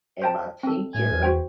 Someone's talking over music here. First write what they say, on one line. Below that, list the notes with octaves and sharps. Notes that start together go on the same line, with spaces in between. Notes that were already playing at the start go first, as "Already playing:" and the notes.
and my teacher
C5 G5 A5
C4 A4
A2 G#5
E2
F#4 C5 G5